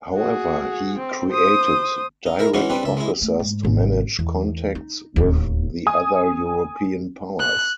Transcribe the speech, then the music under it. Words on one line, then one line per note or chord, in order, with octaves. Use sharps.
However, he created direct officers to manage contacts with the other European powers.
F#4 G#4
C4
C5 D#6
D#4
E4 A#4 E5
E3 G#3 C#4 E4 F#4
G3 C4 D4 B4
C#2 E5
G#3 E4
A3
G#2
G#1 C3
E2
D#4
D1 D#2
G#5 D#6
F#6